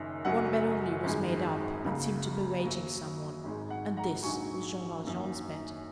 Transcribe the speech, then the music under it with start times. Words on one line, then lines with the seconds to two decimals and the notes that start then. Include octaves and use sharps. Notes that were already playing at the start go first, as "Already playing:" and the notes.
One bed only was made up, and seemed to be waiting some one, and this was Jean Valjean's bed.
Already playing: F#1 F#2 D#3
0.25 F#1 F#2 F#3 F#5
1.04 G#1 F#2 D#3 G#3
1.85 C#2 C#3 F#3 A#3
2.64 F#2 F#3 A#3
3.44 G#1 G#2 G#3
3.70 F#5
3.97 F#5 A#5
4.23 A#1 G#2 F#3 G#5 C#6
5.03 F#2 D#3 A#3